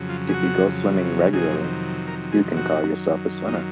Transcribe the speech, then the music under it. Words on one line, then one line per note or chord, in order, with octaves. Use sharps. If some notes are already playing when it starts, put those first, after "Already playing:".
If you go swimming regularly, you can call yourself a swimmer.
Already playing: F2 C#3 F#3
F4
G#4
F#4
F2 C3 D#3 F#3 G#4
A#4
G#4
F#4
F#2 D#3 F#3
D#4
F4